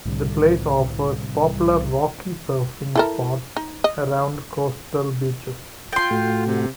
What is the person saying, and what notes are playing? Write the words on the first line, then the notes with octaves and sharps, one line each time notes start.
The place offers popular rocky surfing spots around coastal beaches.
C2 A2 D3
E4 A4 A#4
D#4
D#5
F4 G5 A5 C6
A2 A3 F#4
C3